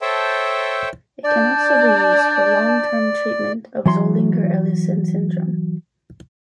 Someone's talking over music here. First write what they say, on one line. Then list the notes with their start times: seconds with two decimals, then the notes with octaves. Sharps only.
It can also be used for long-term treatment of Zollinger-Ellison syndrome.
0.01 A4 C5 C#5 E5 G5 A5
1.24 D4 D5 A5 G6
3.86 E3 F#3 C6